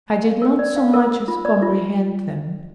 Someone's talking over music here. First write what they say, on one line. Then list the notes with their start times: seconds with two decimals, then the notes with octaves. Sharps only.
I did not so much as comprehend them.
0.24 F5
0.42 A#4
0.59 D5
0.76 F5
0.94 A#4
1.11 A#4
1.28 F4
1.45 D5
1.62 F4